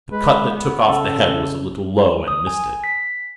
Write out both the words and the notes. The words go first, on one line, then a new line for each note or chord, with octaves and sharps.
The cut that took off the head was a little low, and missed it.
G#3 B4
B3
C#3 A4
D#6
G#5
B6